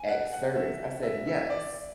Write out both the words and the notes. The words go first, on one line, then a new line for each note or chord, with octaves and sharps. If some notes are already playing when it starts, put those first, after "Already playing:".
X service." I said, "Yes,
Already playing: G#5
F#5
F#5
E5
E5
E5
D5